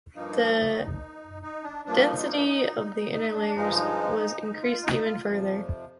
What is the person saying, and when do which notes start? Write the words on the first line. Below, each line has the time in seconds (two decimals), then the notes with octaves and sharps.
The density of the inner layers was increased even further.
0.15 G2 F3 A#3 D#4
0.36 D4
0.58 D#4
1.43 D#4
1.64 D4
1.85 G2 F3 A#3 D4
2.06 D#4
3.12 D#4
3.34 D4
3.56 G2 F3 G#3 D#4
4.40 D#4
4.62 F4
4.83 D#4
5.04 F4
5.25 F2 C3 F3